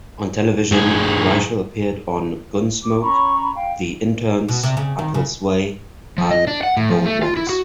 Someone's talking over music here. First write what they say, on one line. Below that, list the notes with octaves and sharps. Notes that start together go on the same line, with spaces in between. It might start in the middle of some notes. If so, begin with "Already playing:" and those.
On television, Reischl appeared on "Gunsmoke", "The Interns", "Apple's Way" and "The Bold Ones".
G2 G#4
D6
C#4 A#5 B5 C#6
F5 G5
B2
C3
C#3
D#3
C#3
F3
D#5
D4
F#5
A2
F3
A3
F4
E4
F#4